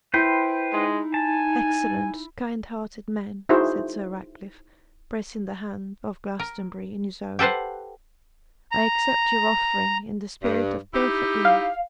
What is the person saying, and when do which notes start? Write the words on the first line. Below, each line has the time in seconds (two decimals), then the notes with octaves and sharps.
'Excellent, kind-hearted man!' said Sir Ratcliffe, pressing the hand of Glastonbury in his own; 'I accept your offering in the spirit of perfect love.
0.14 E4 B4 C5 G5
0.72 G#3 D#4
1.14 G#5 A5
3.49 D#4 E4 F#4 G#4 C5 E5
6.39 A#4
7.39 G4 A4 B4 C5 F#5
8.72 A#5
10.43 G2
10.94 D#4 E4 G4
11.45 F5